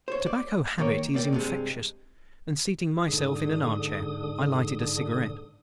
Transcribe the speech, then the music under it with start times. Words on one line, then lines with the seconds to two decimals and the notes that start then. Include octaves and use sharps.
The tobacco habit is infectious, and, seating myself in an arm-chair, I lighted a cigarette.
0.08 C5 C#5
0.26 D5
0.78 D#3 A#3 A#4 C#5
1.14 C#2 A#3 D5 G5
1.33 G2 C3 G#3
3.08 G#2 D3 D#6